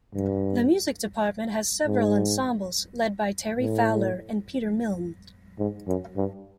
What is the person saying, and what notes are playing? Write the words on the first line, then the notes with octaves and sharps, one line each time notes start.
The music department has several ensembles led by Teri Fowler, and Peter Milne.
G2
G#2
A2
G#2
F#2
G2